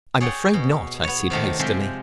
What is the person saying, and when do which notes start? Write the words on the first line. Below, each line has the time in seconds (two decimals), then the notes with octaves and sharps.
"I'm afraid not," I said hastily.
0.20 G#4 C#5 D5 F#5 G5
0.53 B2
1.04 B3 C#5
1.30 C3 D#3 A3 C4
1.59 C3 F3 G#3 E5 G5